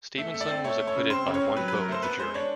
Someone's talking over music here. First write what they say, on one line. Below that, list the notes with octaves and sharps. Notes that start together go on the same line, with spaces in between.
Stephenson was acquitted by one vote of the jury.
A3 E5
A3
D5
C4
A3 C#5
A3
C#5
C#3
C4 C5
C#3
C#5
C4
F#3 B4
B4
F#3
A#4
A3 C5
B3 B4
G#3 C5
D4 C#5